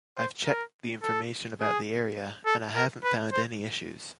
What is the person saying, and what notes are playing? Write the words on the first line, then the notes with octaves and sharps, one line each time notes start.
I’ve checked the information about the area, and I haven’t found any issues.
C5
A#4
A4
G#4
A4
A#4
B4
C5